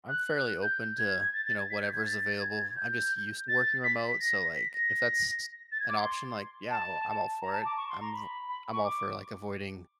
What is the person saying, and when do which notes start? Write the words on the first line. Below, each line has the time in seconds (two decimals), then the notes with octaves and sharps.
I'm fairly open to, you know, whatever's available. I'm just used to working remote, so, like, if that's an option, like, yeah, all I'm all for it. I'm avo I'm all for, like, avoiding
0.09 F#6
0.63 G6
0.98 G#6
1.34 A6
1.45 A6
1.57 G#6
1.70 B6
1.81 G6
1.93 G#6
2.05 A6
2.40 G#6
2.76 G6
3.48 A6
3.84 B6
4.08 B6
4.20 A#6
4.55 B6
4.73 A#6
5.72 A6
5.80 G#6
5.89 D6
5.98 C6
6.70 A5
7.41 A#5
7.53 A5
7.65 D6
7.77 C#6
7.89 C6
8.01 A#5
8.13 B5
8.49 B5
8.72 C#6
8.84 D6